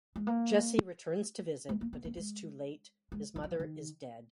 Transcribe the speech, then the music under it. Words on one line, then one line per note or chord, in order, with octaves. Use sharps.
Jesse returns to visit but is too late; his mother is dead.
G#3
A#3
G#3
A#3
B3
A#3
G#3
G#3
F3
F#3
F3
D#3